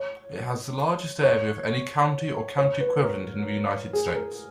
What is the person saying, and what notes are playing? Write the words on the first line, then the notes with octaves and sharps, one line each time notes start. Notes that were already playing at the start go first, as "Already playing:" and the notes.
It has the largest area of any county or county-equivalent in the United States.
Already playing: C#5
C#5
C#5
B4
A#4
G#4
A#4